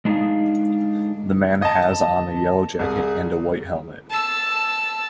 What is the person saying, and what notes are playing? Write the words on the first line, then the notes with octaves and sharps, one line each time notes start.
The man has on a yellow jacket and a white helmet.
G#3 D4 D#4 F4 G#4 F5
D#5 A5
C2 G#4
A5 E6